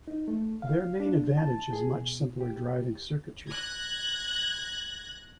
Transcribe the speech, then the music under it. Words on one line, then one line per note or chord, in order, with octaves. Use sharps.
Their main advantage is much simpler driving circuitry.
D#4
A3
F5
D4
A5
G#4
B2
G4
F#6 G#6 A#6